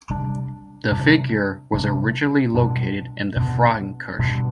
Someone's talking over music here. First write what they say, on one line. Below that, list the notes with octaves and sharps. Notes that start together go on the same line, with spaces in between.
The figure was originally located in the Frauenkirche.
C3 G3 D4
C3 G3 D4
C3 G3 D4
B2 G3 B3 D4
B2 G3 B3 D4
B2 G3 B3 D4